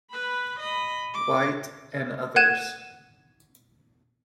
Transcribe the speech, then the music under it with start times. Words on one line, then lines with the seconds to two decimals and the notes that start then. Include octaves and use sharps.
White and others.
0.11 B4 B5
0.60 D#5 B5
1.14 D6
2.36 F#5 F#6 G#6 D#7 E7